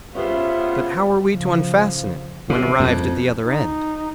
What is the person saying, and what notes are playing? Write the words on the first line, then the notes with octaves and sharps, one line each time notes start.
But how were we to unfasten it, when arrived at the other end?
C#3 B3 C#4 F4 G4 C5 E5
C#3 F3
C3
F2
D#4